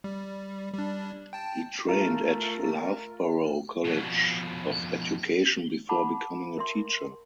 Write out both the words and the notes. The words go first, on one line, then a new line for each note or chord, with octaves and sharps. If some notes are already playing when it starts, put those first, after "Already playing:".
He trained at Loughborough College of Education before becoming a teacher.
G3
G3 D4
G5 A5
A3 F4 A#4 A#5
F2 B2
F#5 A5 B5 D6
A#4 E5 C6